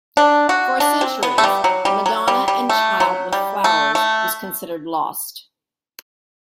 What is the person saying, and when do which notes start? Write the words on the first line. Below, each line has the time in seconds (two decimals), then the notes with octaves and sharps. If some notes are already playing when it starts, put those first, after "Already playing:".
For centuries, "Madonna and Child with Flowers" was considered lost.
0.17 D4
0.49 F#4
0.80 D4
1.01 C4
1.23 B3
1.38 A3
1.44 G3
1.64 F#3
1.85 G3
2.06 F#3
2.28 G3
2.48 G3
2.69 A3
3.00 F#3
3.33 G3
3.64 A3
3.95 A3